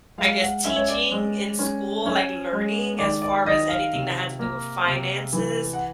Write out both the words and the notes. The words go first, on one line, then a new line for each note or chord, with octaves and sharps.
I guess, teaching in school, like, learning as far as anything that had to do with finances,
G#3 F5
F#5
C#4 E5
C#5
D5
G#3
C#4
C#4
G#3
D#3 D5
D5
D#3 D#5
F5
C3
A#3
C3
E3
F#5